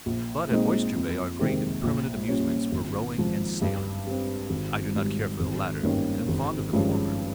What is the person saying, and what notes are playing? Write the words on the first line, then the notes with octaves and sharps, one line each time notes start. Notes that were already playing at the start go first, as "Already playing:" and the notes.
But at Oyster Bay our great and permanent amusements were rowing and sailing; I do not care for the latter, and am fond of the former.
A#1
A#2 G#3 C4 D#4
F2
C3 D#3 G#3 C4
A#1
A#2 G3 C#4
G#1
G#2 F3
G2
G3 C4
G#1
G#2 G3
G#1
G2 D#3 A#3 C#4
G#1
G2 F3 G#3 C#4